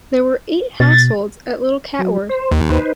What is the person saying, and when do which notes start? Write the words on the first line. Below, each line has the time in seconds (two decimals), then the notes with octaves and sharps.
There were eight households at Little Catworth.
0.80 B2 A6
1.99 F#3
2.29 C5
2.51 D#2
2.70 D#4 B4 C5